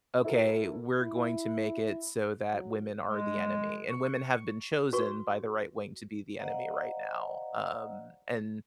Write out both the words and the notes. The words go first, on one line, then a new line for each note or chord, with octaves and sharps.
"Okay, we're going to make it so that women are the enemy," and women have been chosen by the right wing to be the enemy right now, um, and
E4 F#4 A4 A#4
E4
F#3
G#3
C#6
F#4 B4 C#6
C5 D5 D#5 F5 F#5 A#5